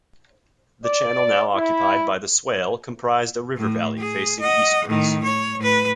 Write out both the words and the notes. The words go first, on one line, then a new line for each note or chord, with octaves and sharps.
The channel now occupied by the Swale comprised a river valley facing eastwards.
D5
E4
A2
G#4
D#5 F#5
A2 D#3
C#5
A2 B4